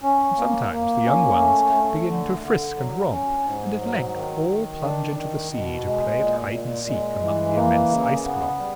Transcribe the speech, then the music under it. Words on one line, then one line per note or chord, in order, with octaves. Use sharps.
Sometimes the young ones begin to frisk and romp, and at length all plunge into the sea to play at hide-and-seek among the immense ice-blocks.
C#4
A#3
A#3
C#4
A3
A3
D3
D3
F#3
C#4
G#2
F#3
D#3
D#3
D4
D#3
B2
G#3
A#2
A#2
G#3
E3
A#3
C#3
B3
G3